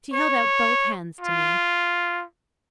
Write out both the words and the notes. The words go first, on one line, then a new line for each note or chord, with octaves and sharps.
She held out both hands to me.
C#5
F4